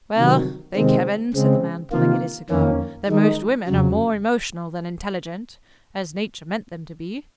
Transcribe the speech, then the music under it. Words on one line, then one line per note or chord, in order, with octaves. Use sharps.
"Well, thank Heaven," said the man, pulling at his cigar, "that most women are more emotional than intelligent--as Nature meant them to be."
C3 D#3 F#3
C3 D#3 G#3 C4
C#3 G#3 C4
C3 D#3 A#3 F4
F2 D#3 A#3 C#4
D#3 G#3 D#4
F2 C#3 F#3